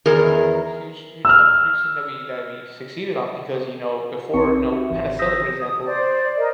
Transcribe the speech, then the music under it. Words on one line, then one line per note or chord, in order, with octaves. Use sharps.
eh eh huge huge up huge thing that we that we succeeded on because, you know, before you know, penicillin, for example
E2 D#3 G#4 A#4
E6 F6
B1 C4 D#4 C#6 C#7
F#4 G4 E5
G#1 E3
D#6 E6 G6 A#6 B6
D#6
C5 D5
A#4 D#5